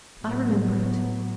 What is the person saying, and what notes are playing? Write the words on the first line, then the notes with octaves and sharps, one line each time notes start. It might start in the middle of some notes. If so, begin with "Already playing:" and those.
"I remember it."
A2 F#3 B3